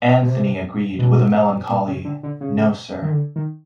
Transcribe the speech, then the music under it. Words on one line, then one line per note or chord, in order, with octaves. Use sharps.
Anthony agreed with a melancholy "No, sir."
B2
C3
B2
A#2
C#3
D3
D3
C#3
D#3
D3
D#3